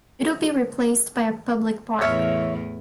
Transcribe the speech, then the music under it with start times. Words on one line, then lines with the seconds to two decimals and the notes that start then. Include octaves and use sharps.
It will be replaced by a public park.
2.01 E2 A2 E3 C#5 E5 F5